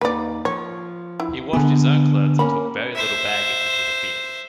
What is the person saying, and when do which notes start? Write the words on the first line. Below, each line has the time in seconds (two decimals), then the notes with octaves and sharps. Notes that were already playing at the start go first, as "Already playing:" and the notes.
He washed his own clothes, and took very little baggage into the field.
0.01 D#2 D#4 B4 D5
0.45 F3 C#5
1.20 E4
1.53 D3 B3 G#4
2.39 A#3 C#4 A#4 B5
2.95 C5 E5